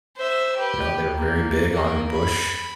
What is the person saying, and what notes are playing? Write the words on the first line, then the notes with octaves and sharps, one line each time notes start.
you know, they were very big on Bush.
C5 E5
G4 B4
A#3
A#3 A#4
B5